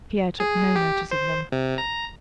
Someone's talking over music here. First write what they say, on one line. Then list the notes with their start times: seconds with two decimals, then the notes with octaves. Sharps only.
Pierre took no notice of them.
0.40 G#4
0.76 G4
1.11 C5
1.52 C3
1.78 A#5